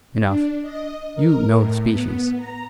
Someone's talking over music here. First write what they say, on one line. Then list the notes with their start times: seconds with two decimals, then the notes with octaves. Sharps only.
Enough, you know the species.
0.24 D4
0.61 D#5
1.15 A#4
1.51 A2
1.89 B3
2.36 A#5